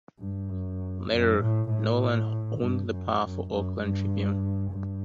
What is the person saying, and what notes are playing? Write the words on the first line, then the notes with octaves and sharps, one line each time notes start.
Later, Knowland owned the powerful "Oakland Tribune".
G2
F#2
F#2
A2
A2
G2
F#2
F#2
F#2
G2
G2